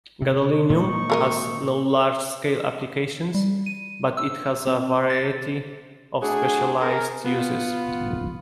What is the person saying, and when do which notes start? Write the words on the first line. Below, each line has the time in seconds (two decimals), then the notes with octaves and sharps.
Gadolinium has no large-scale applications, but it has a variety of specialized uses.
0.22 C3
0.70 A#2 D#3 G#3 D#4 C#6
1.10 F#3 A#4 D#5
3.34 G3
3.66 D#7
4.17 E6
4.67 C4
5.10 A6
6.22 A3 D4 F#4 G#4
6.81 B3 G#4 A#4
7.25 B3 F4